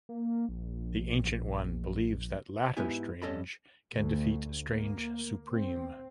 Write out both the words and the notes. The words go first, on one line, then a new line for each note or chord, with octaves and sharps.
The Ancient One believes the latter Strange can defeat Strange Supreme.
A#3
A#1
G#2 G#3 B3 E4 G4 G#5
G2 C#4 A4 D#5 A5 B5
D2
A#3
C4